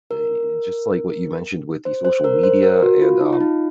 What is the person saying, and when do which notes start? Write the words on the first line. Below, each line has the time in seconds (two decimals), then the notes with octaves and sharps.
eh, just like what you mentioned with the social media. And, um,
0.11 A#4
1.85 C5
2.05 C5
2.24 A#4
2.43 C5
2.63 A#4
2.82 F#4
3.02 F4
3.21 D#4
3.33 F4
3.40 D#4